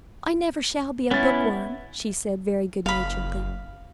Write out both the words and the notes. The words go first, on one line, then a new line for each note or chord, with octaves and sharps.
"I never shall be a book-worm," she said very good-naturedly.
B3 C#4 E4 A6
F#1 F5 B5